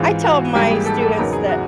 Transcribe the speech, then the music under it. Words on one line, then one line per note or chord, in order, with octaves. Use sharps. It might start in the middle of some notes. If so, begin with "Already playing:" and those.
I tell my students that
Already playing: G#2 E3 G#3 C4 F4
F#4
G#1 G#2 E3 G3 A#3 G4
G#4
A4
A4
E2 C#3 F#3 B3 D#4 A#4
G#4
F#4